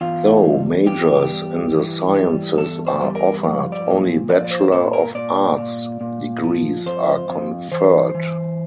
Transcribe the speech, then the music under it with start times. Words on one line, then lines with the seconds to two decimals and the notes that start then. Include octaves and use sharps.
Though majors in the sciences are offered, only Bachelor of Arts degrees are conferred.
0.01 E2 F4
0.44 G3
0.86 E2 G4
1.30 G3
1.72 E3
2.15 G3
2.58 E2 A4
2.87 C5
3.01 G3
3.15 A#4
3.43 F3
3.72 D5
3.87 A#2
4.29 F3 D5
4.44 D5
4.51 C5
4.72 A#2 C5
4.93 A#4
5.15 A#2 D5
5.58 A#2
6.01 A#2
6.44 F3
6.86 F2 C5
7.29 F2
7.72 E3 C5
8.14 E3